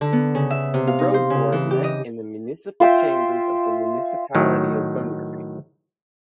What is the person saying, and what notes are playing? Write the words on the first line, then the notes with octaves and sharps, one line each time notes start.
The road board met in the municipal chambers of the Municipality of Bunbury.
D3
B3
C#3
E5
C3
F5
D#4
C5
C#3
E3
G4
D#5
F4 C5 E5 G5
A2 D#3 F#3